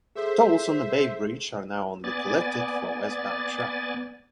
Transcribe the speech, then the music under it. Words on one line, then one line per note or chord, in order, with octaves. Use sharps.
Tolls on the Bay Bridge are now only collected from westbound traffic.
G#4 A4 C5 E5
B3 D5 G#5 A6